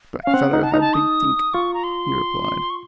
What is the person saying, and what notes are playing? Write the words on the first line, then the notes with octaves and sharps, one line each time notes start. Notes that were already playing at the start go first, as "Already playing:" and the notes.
"Black fellow hab big tink," he replied.
C#4 F5
C4 F#5
D#4
A5
D#4 A#5
A5
D#6
F4 C#6
A#5
C6
C#6